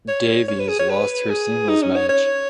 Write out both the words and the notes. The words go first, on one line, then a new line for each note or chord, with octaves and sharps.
Davies lost her singles match.
C#5
C#5
B4
G#4
C#5
B4
G#4
D#4
C#4
C#5
C#5